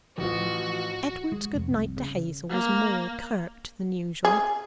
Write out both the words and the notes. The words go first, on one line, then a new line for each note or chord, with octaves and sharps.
Edward's good night to Hazel was more curt than usual.
A1 F3 F#4
G#3
F1
C2
C#3
A#3
G#4